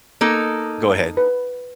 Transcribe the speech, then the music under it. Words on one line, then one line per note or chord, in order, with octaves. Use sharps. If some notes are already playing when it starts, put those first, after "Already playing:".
Go ahead.
A#3 D#4 A4
B4